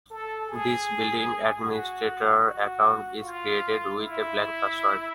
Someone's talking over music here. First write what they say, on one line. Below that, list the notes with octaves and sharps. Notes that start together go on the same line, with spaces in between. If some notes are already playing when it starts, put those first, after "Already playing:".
This built-in administrator account is created with a blank password.
A4
G#4
F#4
F#4
F4
E4